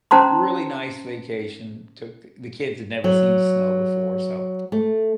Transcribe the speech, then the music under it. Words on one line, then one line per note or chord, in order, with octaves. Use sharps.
really nice vacation. Took the the kids had never seen snow before so,
C#4 C5 A5 A#5 C6
F#3
A3